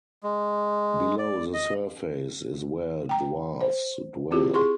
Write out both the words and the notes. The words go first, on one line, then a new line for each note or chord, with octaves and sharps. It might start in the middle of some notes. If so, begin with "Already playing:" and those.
Below the surface is where dwarves dwell.
G#3
D5
D#5
G5 A#5
C5
C4 E4 F4 G4 G#4
G#4 C6 C#6